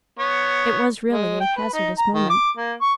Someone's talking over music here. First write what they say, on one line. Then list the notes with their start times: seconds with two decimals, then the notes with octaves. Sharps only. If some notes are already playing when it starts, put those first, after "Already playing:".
It was really a hazardous moment.
0.19 B3 C#5
1.13 G#3
1.40 G5
1.56 B4
1.73 D#4
1.98 A#5
2.14 D#3
2.30 D6
2.57 A#3
2.81 C#6